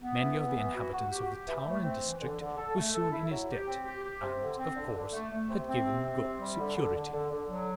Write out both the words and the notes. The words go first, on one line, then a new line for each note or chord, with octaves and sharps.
Many of the inhabitants of the town and district were soon in his debt, and, of course, had given good security.
B3
E3
B3
E3
F#4
F#4
G4
G4
E3
A3
C4
E3
D3
D3
A4
A3
A4
E4
F#3
G4
C4
G4
G4
C3
D3
C4
D3
D3
A3
A3
C3
C4
C3
C4
C3
G3
D3
D3
D3
D3
D3
F#3